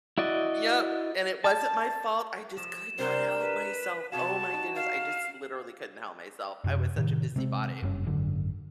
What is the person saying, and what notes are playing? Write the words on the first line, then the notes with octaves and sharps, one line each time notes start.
Yep, and it wasn't my fault, I just could not help myself, oh my goodness, I just literally couldn't help myself. I was such a busy body.
E4 F#4 D5 D#5
A5
F3 E7
C3 D4 A#4 C5
B4
C3 F#4 G#4 F5 A5 E7
D#4
F5
F#2 C3
A2 C3 D#3
C3 G#3 C4
F#1 G2 C#4
G#1 F#2 D3